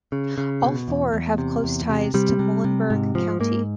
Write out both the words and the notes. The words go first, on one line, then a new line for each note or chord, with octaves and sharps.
All four have close ties to Muhlenberg County.
C#3
C#3
B2
E2
E2
C3
E2
C3
C3 G3
C3
C3
G#2
G#2 F3
G#2 A#3